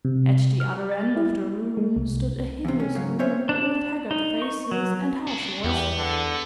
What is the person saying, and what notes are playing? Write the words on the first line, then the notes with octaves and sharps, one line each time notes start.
At the other end of the room stood a hideous group with haggard faces and harsh voices.
C3
F6
A6
E4
G#3
C2
E2 C3
C#4
G#2 C#3 F#3
C4 C#4 C5 C#5 E5
D4
D#4
C#6
F#3
D4 F#4
E2 B3 G4
D3